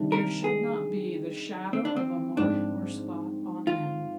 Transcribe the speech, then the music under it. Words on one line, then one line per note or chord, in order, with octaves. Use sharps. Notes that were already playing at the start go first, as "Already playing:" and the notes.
There should not be the shadow of a mark or spot on them.
Already playing: C3 D#3 G3 D4
A#4
G#4
C4
D4
C4
G#2 F3 C4 D4
F4